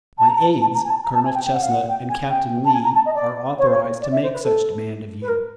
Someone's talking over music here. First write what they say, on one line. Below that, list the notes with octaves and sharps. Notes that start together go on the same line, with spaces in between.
My aides, Colonel Chesnut and Captain Lee, are authorized to make such demand of you.
A5
A#5
A5
A5
A#5
G#5
A5
A#5
A5
G#5
G5
G5
F#5
F5
F#5
G5
G#5
G5
A5
G#5
A#5
A5
D#5
D5
C#5
C5
C#5
D5
E5
C5
B4
A4
B4
A#4